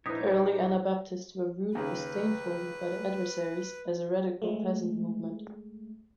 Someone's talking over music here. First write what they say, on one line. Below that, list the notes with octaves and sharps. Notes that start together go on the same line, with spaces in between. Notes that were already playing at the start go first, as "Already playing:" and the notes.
Early Anabaptists were viewed disdainfully by their adversaries as a radical peasant movement.
A#1 D#4 E4 G4 B4 C#5 D#6 B6
G3
D#2 C#3 B4
G#3 A3